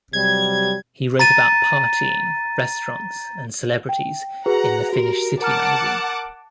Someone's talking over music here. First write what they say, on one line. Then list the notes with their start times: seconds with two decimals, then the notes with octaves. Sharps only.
He wrote about partying, restaurants and celebrities in the Finnish City magazine.
0.13 C3 F#3 G3 G#6
1.19 A#5 A6 D#7
3.89 G5
4.46 F#4 G#4 B4 F#5 A#5
4.93 F#4 G4 A#4
5.41 A#4 F#5 A5 A#5 D6 F6